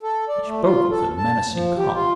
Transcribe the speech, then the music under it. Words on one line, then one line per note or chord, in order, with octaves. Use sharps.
He spoke with a menacing calm.
A4
D5
A3
F4
A4
A5
F3
G4
F4